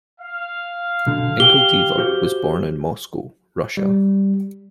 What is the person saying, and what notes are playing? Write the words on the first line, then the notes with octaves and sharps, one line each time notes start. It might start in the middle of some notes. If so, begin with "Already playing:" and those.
Ingildeeva was born in Moscow, Russia.
F5
B1 D3
G4 G5 G7
F#4 G4 C5
G3